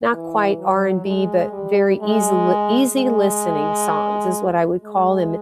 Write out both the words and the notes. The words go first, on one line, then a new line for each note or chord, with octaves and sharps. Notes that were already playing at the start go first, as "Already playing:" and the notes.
not quite R&B, but very easil easy listening songs is what I would call them,
E3
F#3
G#3
G3
G#3
G#3
G#3